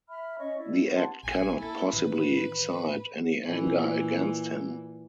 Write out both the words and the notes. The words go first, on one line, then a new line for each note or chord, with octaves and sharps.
The act cannot possibly excite any anger against him.
E5 B5 F6
C#4 C#5 D#5 C#6
E4 D5
B4 C#5
G4 F#5 A5 C6
A1 A#2 G#5
A#3 E4 A4
A2 D#3 E3 B4
A#2 E3